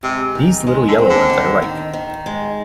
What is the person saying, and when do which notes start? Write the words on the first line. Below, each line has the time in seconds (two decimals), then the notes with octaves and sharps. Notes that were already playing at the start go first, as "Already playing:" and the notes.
These little yellow ones I like.
0.03 C3 G#3
0.35 D#3
0.67 G#3
0.88 D3
0.98 C4
1.09 D3
1.30 D#3
1.62 D#3
1.93 D#3
2.26 G#3